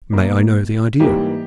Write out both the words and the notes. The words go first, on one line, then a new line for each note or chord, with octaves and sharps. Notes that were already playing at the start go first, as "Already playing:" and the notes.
"May I know the idea?"
B2 A#3
G#2 E3 G3 A#3 G4